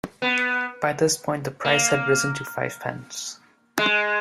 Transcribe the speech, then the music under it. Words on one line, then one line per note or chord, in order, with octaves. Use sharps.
By this point, the price had risen to five pence.
B3
A#3
G#3